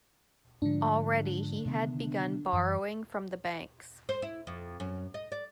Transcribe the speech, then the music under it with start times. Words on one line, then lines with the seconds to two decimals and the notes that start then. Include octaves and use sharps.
Already he had begun borrowing from the banks.
0.62 G#2 D3 F3 D4
1.66 C3 D#3 B3
2.53 F#2 E3
4.09 C5
4.22 E4
4.47 F2
4.80 F#2
5.14 D#5
5.32 D5